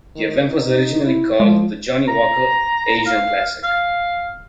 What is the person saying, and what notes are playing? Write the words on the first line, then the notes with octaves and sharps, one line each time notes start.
The event was originally called the Johnnie Walker Asian Classic.
D#3
D#4
E4
F3 G#3
A#5
F5
F5